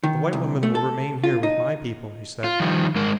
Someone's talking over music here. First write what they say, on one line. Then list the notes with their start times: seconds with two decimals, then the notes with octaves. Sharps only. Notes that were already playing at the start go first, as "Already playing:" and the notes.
"The white woman will remain here with my people," he said.
0.04 D#3
0.33 C2
0.63 A3
0.75 A4
1.24 F4
1.43 D#4
2.44 F4
2.60 D#3 F3 G3
2.96 G#2 G#3 A#4